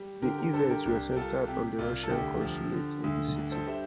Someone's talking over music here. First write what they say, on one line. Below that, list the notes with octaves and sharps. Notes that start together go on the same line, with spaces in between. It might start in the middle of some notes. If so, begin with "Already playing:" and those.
The events were centered on the Russian consulate in the city.
Already playing: G3
D3 G4 A#4
G4 A#4
G2 A4 C5
G4 A#4
C2 G4
A#4
G3 F4 A4
C3 G4
C2 F4
A4
D2 G4
F3
D3
D2
G2
A4 C5
G3 C5 E5